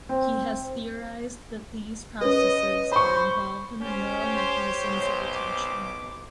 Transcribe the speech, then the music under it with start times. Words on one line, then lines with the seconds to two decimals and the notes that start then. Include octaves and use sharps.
He has theorized that these processes are involved in the neural mechanisms of attention.
0.09 C4
2.21 C#4 B4 D#5
2.92 C5 B5 C#6
3.81 C#4 G4 C5
4.36 C#5 C6
4.85 B1
5.35 D6